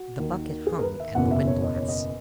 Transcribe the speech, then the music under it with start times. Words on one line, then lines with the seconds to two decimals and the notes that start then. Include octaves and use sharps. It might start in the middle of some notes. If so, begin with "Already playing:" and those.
The bucket hung at the windlass.
Already playing: F#4
0.19 D#2 D#3
0.67 G#4
0.78 A#4
0.83 B4
1.00 E5
1.15 F#1 E2 B2 F#5
1.31 E5
1.47 C#5
1.63 D#5
1.77 C#5
1.88 D#5